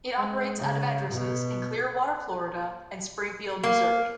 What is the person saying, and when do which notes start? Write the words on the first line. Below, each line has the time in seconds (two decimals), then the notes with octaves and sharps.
It operates out of addresses in Clearwater, Florida, and Springfield, Missouri.
0.18 G#3
0.58 C#3
1.11 B2
3.64 A#3